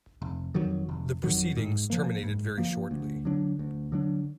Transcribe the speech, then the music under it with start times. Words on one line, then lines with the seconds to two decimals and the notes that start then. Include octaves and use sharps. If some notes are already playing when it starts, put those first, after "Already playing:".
The proceedings terminated very shortly.
0.22 F1
0.54 F2 D#3 F#3
0.89 F1
1.23 F2 D#3 F#3
1.57 G#2
1.90 F3 A#3
2.23 G#2
2.58 F3 A#3
2.91 D2
3.25 D3 F#3 D4
3.59 D2
3.92 D3 F#3 D4